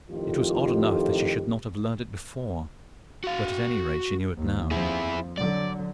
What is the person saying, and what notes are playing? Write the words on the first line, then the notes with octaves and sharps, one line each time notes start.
It was odd enough that she should not have learned it before, but at any rate she knew it now.
F2 A2 D#3 F4 G4
F#4 F5
D#2
F2 F3 E4 G#4
D3 F#3 D5